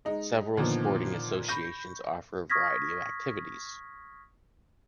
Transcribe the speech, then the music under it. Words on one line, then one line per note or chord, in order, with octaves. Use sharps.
Several sporting associations offer a variety of activities.
G#3 D#4
A#2 D3 D#3 F3 B3
B5 C#6 G6 A#6
C#6 D#6 F6 G#6 A#6 B6